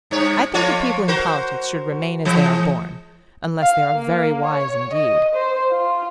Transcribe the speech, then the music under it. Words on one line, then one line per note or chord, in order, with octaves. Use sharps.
I think that people in politics should remain as they are born,--unless they are very wise indeed.
G2 C#5
F2 F4 C#5
F#4 A#4 C5
E3 G#3
F5
A#3
C#5
D#5
C5
F4